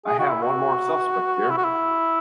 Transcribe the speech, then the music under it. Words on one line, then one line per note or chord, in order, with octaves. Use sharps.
I have one more suspect here.
G#4
F#4
E4
F#4
E4
F#4
E4